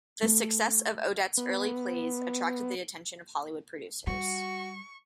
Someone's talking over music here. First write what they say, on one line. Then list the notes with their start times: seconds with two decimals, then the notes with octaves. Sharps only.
The success of Odets's early plays attracted the attention of Hollywood producers.
0.23 A3
1.38 B3
4.07 G3 F#4 C#6